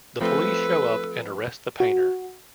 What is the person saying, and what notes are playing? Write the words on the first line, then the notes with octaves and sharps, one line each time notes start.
The police show up and arrest the painter.
F3 A3 C4 A4 B4
F#4